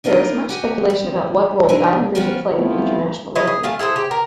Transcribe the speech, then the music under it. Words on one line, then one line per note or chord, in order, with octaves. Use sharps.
There was much speculation about what role the Islanders would play in international rugby.
D4 D#4 F4 A#4 B4
F#4 G4 G#5
G3
C3 D4 D#4 G#4
F3 G3 B3 C#4 F4 F#4
A3 B3 C4 E4 F4
E4 B4 C#5 D#5
G#4
A3 F4 G#5 A5
E4 G#4 A4 C5
G4
A#4